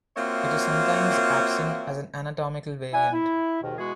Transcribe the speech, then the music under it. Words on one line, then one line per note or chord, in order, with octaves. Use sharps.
It is sometimes absent, as an anatomical variant.
A#3 C4 F4 F#4 C#5 E5
E4 D5 F#5 G#5
E4
D#2 G#2 B2 D#3
B2 E3 G#3 F#4 G#4